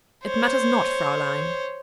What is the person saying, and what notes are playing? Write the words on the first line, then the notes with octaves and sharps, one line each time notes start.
'It matters not, Fraeulein.
C5 C#5